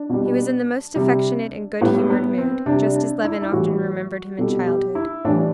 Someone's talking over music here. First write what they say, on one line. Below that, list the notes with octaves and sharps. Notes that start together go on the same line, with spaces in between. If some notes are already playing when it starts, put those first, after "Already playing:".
He was in the most affectionate and good-humored mood, just as Levin often remembered him in childhood.
Already playing: D4
B2 G3
C3 G3
A2 G3 B3
B3
C4
C3 D4
G3
D4
E4
E4
A2 E3 G3 F#4
B2 G3 A4
G4
E4
A2 E3 G3 D4